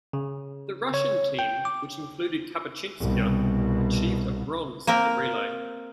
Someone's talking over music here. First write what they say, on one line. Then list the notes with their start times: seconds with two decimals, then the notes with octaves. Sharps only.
The Russian team which included Kapachinskaya achieved a bronze in the relay.
0.13 C#3
0.94 C#5
1.39 G5
1.65 D6
2.99 C2 B2
4.87 A#3 C4 A#4